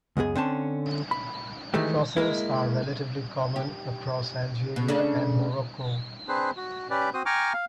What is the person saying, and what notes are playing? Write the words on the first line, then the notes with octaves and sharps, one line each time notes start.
Fossils are relatively common across Algeria and Morocco.
C#2 F#2 B3 G#4
D3 C4 C#4 A5
B5
D#3 E3 G#3 A3 G4
G#3 A#3 E4
G4
B2
C#3 A3 D4
C4 D4 G#4 B4 C5
F#4
C#4 G4 B4 D5
C4 F#4 C5 D#6
G5 G#5 A#5 C#6 D6 F6
F5